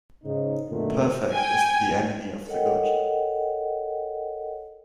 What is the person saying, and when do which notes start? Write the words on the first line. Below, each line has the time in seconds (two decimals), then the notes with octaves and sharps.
Perfect is the enemy of the good.
0.24 G#2 C#3 D#4
0.70 B1 F#2 A#2 D3 D#3 A3
1.32 G5 G#5
2.47 A4 A#4 C#5 D#5 F#5 G5